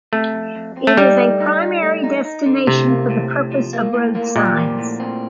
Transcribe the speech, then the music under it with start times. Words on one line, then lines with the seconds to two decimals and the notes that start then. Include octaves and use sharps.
It is a primary destination for the purpose of road signs.
0.13 C3 A3
0.34 F2
0.56 F2
0.77 C4
0.87 A3
0.97 G3 D#4
1.19 A3
1.40 D#4
1.61 D#4
1.82 A3
2.04 D#4
2.25 D#4
2.46 D3
2.67 A2 C3
2.88 A#3
3.10 A2
3.31 A2
3.52 F3
3.73 A#3
3.94 A2
4.15 A#3
4.36 A#2 G4
4.57 F3
4.79 A2
5.00 C4